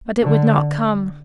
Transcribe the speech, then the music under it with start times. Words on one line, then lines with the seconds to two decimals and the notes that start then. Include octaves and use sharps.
But it would not come.
0.22 D3